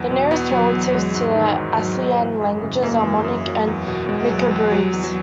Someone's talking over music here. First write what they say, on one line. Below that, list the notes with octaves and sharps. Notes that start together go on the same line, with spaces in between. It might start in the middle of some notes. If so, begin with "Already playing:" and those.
The nearest relatives to the Aslian languages are Monic and Nicobarese.
Already playing: E2 F#3
B2
E2 B3
F#3
E2
F#3 G#3
G#2
D#3
G#2
F#3
G#2
E3
F#2
C#3
F#2 A#3
E3
F#2
F#3
E2
B2
E2 G#3
F#3
E2
F#3
E2
F#3